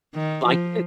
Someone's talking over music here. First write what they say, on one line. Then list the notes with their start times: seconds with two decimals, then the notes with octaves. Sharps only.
Like it?
0.15 D#3
0.45 F3